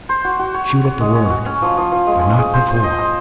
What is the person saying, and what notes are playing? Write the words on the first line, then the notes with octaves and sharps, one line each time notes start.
Shoot at the word, but not before.
C5
F#4
F#4
C#5
C#5
C#5
G#3
C#5
F#4
C#4
F3
F3
F3
G#3
C#4
G#4
C5
C5
D#5
C5